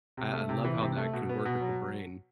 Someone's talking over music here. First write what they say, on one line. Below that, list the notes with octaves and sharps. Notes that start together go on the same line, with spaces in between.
I I love how that can work with the brain.
C3
A3
C3
E3
C3
A3
B2
B3
B2
F#3